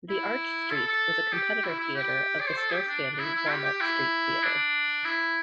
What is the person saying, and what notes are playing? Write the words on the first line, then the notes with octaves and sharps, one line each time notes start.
The Arch Street was a competitor theatre of the still standing Walnut Street Theatre.
E4
A4
A4
G4
E4
E4
G4
D5
C5
A4
G4
D4
D4
E4
E4
G4
G4
E4
D4
E4